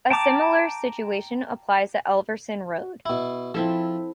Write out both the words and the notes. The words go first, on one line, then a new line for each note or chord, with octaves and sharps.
A similar situation applies at Elverson Road.
G5 A5 A#5 D6
B2 E4
F3 C4 E4 A4